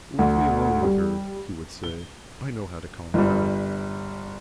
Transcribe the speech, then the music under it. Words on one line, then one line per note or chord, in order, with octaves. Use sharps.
"Leave me alone with her," he would say; "I know how to calm her."
D2
G3
G7
G1 G3